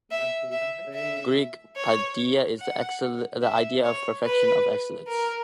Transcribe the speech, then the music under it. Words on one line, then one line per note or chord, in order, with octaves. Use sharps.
Greek paideia is the idea of perfection, of excellence.
E5
E5
E5
C#5
F#5
E5
C#5
B4
A#4